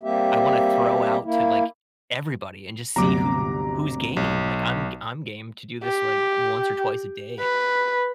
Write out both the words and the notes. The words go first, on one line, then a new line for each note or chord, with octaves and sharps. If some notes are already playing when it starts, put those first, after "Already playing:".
I wanna throw out to, like, everybody and just see who who's game. Like, I'm g I'm game to do this, like, once or twice a day,
G3 A#3 C4 G4 E5
A#3 E4
G1 D2 C3 F#3 A#5 D6
B1
G4
B4